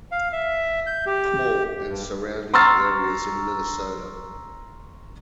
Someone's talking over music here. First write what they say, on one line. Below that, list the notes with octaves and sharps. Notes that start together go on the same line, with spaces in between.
Paul and surrounding areas in Minnesota.
F5
E5
G6
G4
G2
A#5 C6 C#6 E6 F6 A6